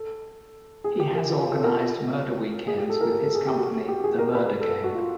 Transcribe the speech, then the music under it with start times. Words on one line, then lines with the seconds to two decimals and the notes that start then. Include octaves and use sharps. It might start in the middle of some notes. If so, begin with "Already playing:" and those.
He has organised 'murder weekends' with his company 'The Murder Game'.
Already playing: A4
0.84 G#4
1.00 G4
1.14 A#4
1.29 F4
1.42 F4
1.53 A4
1.64 A#4
2.67 G#4
2.78 G4
2.90 A4
3.01 A#4
3.12 A#4
3.23 A4
3.35 G#4
3.47 G4
3.58 F#4
3.89 G4
4.04 G#4
4.18 A#4
4.35 B4
4.61 A4
4.84 F#4
4.95 F4